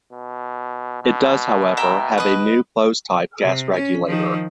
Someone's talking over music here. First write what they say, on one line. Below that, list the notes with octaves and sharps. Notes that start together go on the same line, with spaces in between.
It does, however, have a new closed-type gas regulator.
B2
B2
E5 G5 A#5
B4 D#5
C3
C#4
D#3 F3